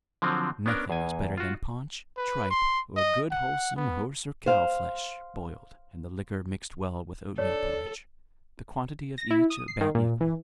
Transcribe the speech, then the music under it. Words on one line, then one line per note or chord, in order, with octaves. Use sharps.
Nothing is better than paunch, tripe, or good wholesome horse or cow-flesh, boiled, and the liquor mixed well with oatmeal porridge; the quantity of each about equal.
D3 F3 F#3 C4
B3 C#4 D4 A#4
E2 G#5
F4 F#4
B4
C6
D#5
F#5
B3
C5 F5
D4 A4 C#5
A#6
E4
D#6
C7
D#3
A#2
E3